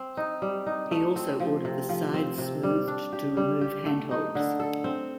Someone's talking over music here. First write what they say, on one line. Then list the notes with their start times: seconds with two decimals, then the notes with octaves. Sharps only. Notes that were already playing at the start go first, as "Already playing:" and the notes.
He also ordered the sides smoothed to remove handholds.
Already playing: C4
0.17 D#4
0.42 G3
0.66 D#4
0.91 A3
1.16 C4
1.40 F3
1.65 C3
1.89 F3
2.14 C4
2.38 C3
2.63 G3
2.88 D4
3.13 G4
3.37 G3
3.61 G4
3.86 A3
4.11 D#4
4.35 D3
4.60 A4
4.84 C4